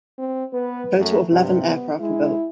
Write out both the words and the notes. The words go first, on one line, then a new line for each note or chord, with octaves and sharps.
A total of eleven aircraft were built.
C4
B3 B4
F#2 A3
G2 C3
B3
G#3 E4